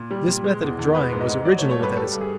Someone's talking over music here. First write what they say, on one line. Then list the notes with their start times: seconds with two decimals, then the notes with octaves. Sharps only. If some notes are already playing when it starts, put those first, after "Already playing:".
This method of drying was original with Edison.
Already playing: A#2
0.11 G3
0.28 A#2
0.44 G#3
0.62 E2
0.79 E2
0.95 G#3 B4
1.13 G#2
1.21 D#5
1.29 G#2
1.45 F#3 D5
1.59 C#5
1.62 A3
1.71 C#5
1.79 G2 B4
1.97 G3 A4
2.13 G2
2.21 G#4